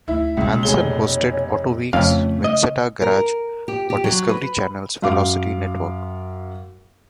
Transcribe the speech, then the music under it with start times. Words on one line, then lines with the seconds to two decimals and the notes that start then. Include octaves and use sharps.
Hansen hosted "Autoweek's Vinsetta Garage" for Discovery Channel's Velocity network.
0.08 D2 E4 E5
0.37 C#2 B2 A#3
0.63 F1 G#4 C#5 G7
1.93 F2 C#3 A3 C#4 F5
2.44 D#5
3.02 A#4
3.68 G4
3.90 G4
4.04 F#3
4.29 B4
5.02 F#2 F5 D6